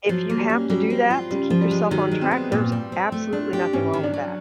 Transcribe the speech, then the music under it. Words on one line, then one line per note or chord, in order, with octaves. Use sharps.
If you have to do that, to keep yourself on track, there's absolutely nothing wrong with that.
F3 F#3
A#3
G3
C#4
F#3 G3
C4
F4
C#3 G3
F3
G3
G#3
D#3 F#3
G#3
C4
B3
A#2
G3
C4
A3
D4
G4
G#2 C#4
D#3
D4
F#3